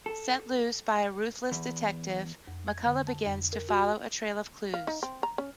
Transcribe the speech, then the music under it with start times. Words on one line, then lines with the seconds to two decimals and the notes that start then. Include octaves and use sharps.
Set loose by a ruthless detective, McCullough begins to follow a trail of clues.
0.06 A4
1.52 E2
2.48 F2
2.68 G#6
2.85 D3
3.07 A5
3.26 F2
3.53 A#4
3.69 F#4
4.74 F5
4.87 D#4
5.03 C4
5.23 A#5
5.38 C#4